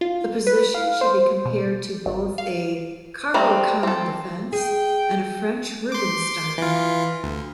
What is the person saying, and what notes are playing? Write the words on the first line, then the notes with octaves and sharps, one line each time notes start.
The position should be compared to both a Caro-Kann Defense and a French Rubinstein.
F4
B4
F5
C5
B2
G#1
F5
G3 A3 C4 D#4
C4 A4
G#4 G5
C6 D6
E3 F4
D2